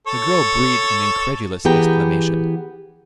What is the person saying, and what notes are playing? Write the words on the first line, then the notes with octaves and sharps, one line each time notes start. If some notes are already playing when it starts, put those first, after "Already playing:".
The girl breathed an incredulous exclamation.
A4 C#5
E3 B3 G4 G#4 G5 A#5